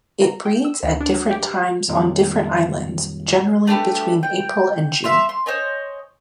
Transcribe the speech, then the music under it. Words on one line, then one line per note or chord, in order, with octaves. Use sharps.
It breeds at different times on different islands, generally between April and June.
A#5
G5
E6
D2
D4
F#3
G4
F2 A#2 D#3 F#3 G3
A3 D4 G4 B4
G5
E5 F5 C6
C6
C5 C#5 D#5 G#5